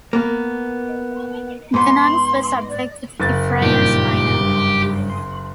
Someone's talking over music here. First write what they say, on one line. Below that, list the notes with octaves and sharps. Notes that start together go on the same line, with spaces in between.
The nuns were subject to the Friars Minor.
A#3 B3
G#2 B3 C6
D5
F#1 A6
G2 A#2 D#3 G4
G2
C6